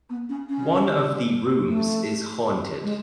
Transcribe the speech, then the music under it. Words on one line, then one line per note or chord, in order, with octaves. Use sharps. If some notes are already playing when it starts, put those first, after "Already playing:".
One of the rooms is haunted.
B3
C#4
C#4
A3
G#3